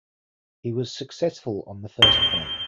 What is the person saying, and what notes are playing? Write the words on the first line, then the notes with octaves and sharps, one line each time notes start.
He was successful on the first point.
G7